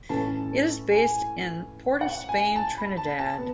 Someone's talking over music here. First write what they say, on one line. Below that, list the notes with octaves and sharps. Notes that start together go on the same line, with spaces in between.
It is based in Port of Spain, Trinidad.
A2 E3 A3 C#4 A5
G#5
F#5
G#5
A5
B5
A5
A5
B3